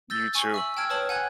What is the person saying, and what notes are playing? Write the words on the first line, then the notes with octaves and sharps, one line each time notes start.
You too.
E6 G6 A6 A#6 G7
G#5 C#6
E5 E6 F#7
G5 A5 E6 F6 G#6 D7
B4 C#5 A5 D#6 F#7
F#5 G#5 F#6 G#6